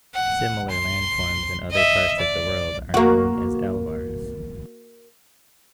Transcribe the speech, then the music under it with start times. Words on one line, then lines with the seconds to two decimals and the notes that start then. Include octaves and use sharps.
Similar landforms in other parts of the world are known as alvars.
0.14 F#5
0.70 C6
1.70 D#5 E5
2.19 D5
2.94 A#3 F#4